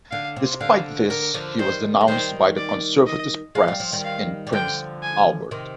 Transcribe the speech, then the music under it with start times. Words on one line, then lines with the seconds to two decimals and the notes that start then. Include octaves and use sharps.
Despite this, he was denounced by the Conservative press in Prince Albert.
0.11 D3 F5
0.36 C3
0.61 D3 F5
1.09 D3 A#4
1.34 D3 F3
1.58 D#3 G3 C5
2.01 G#3
2.08 D#3 G3 C5
2.57 D5
3.07 D#5
3.55 G#3 F5
3.68 G3
3.80 F3
3.92 D#3 G3
4.05 F5
4.47 G3
4.53 D3 F3 G5
5.03 G#5
5.51 C3 D#3